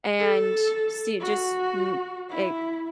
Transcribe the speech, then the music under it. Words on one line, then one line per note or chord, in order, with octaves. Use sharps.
and see just m e
A4
F#4
E4